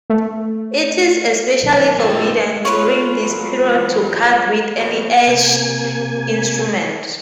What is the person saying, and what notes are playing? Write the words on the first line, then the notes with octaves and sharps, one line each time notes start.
It is especially forbidden during this period to cut with any edged instrument.
A3
B2 D#3 F#3 A#3
E3 F3 A3 C4 G5
A#3 C#4 F4 B4 C#5
D#2 A#2 E3 F#3 G#3 F4
G2 A#2 F#3
F2 B2
C3 A#3 G#5